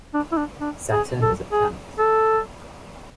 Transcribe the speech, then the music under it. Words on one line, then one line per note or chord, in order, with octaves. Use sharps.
Saturn is a planet.
D4
E4
D4
D4
G#4
A4
G#4
A4